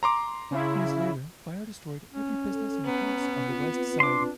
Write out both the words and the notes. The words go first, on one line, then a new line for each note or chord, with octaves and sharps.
Five days later, fire destroyed every business and house on the west side.
A#5 C6 D6
C#3 E4
C#4
A4
B3 A#5
C4 F4 B4
D4 C6 D6